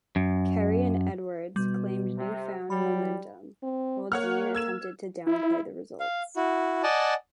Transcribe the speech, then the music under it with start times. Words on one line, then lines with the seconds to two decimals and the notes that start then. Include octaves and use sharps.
Kerry and Edwards claimed newfound momentum, while Dean attempted to down-play the results.
0.16 F#2
1.56 B2 G3
2.17 C3
2.70 F#3 G3 B5
3.63 C4
4.12 A#3 C#5 F#5 F6
4.55 E6 G#6 E7
5.27 E4
6.00 F5
6.36 E4 F#4
6.83 D5 D#5 F#5 G#5 A5